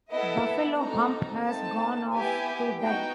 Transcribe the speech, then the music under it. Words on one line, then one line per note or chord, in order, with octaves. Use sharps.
Buffalo Hump has gone off to die.
B3 E4 A4 D#5
E5
C4 D#4 F#4 A4 A#5
A3 C4 D#4 A5
B3 E4 G4 G#5
B3 D#4 F#4 G5